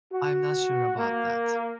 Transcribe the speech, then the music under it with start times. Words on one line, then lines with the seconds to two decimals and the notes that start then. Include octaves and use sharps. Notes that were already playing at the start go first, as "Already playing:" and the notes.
I'm not sure about that.
0.12 F#4
0.98 A#3